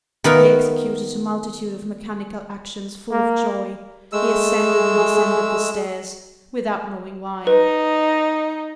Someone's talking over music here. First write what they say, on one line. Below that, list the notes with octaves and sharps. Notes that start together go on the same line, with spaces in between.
He executed a multitude of mechanical actions full of joy; he ascended and descended the stairs, without knowing why.
D#3 B3 A#4 E5
A#3
G#3 A3 G#4 E6
D#4 B4